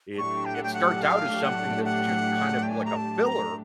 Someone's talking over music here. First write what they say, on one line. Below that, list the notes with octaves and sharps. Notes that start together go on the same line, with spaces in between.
it it starts out as something that's just kind of like a filler,
A2 F#3 A3 D4 G4 C#6
G5
F#5
G5
F#5
F5
F#5
F#5
G5
G#5
A#5
A5
A#5